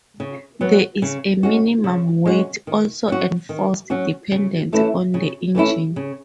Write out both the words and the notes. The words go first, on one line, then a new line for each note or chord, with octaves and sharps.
There is a minimum weight also enforced dependent on the engine.
C#3
F#3 B3
C#3
G#3 C#4 F#4
C#3
G#3 C#4 F#4
D#3
F#3 C#4 F#4
D#3
F#3 C#4 F#4
C#3
E3 A3 C#4 E4
C#3
E3 A3 C#4 E4
C#3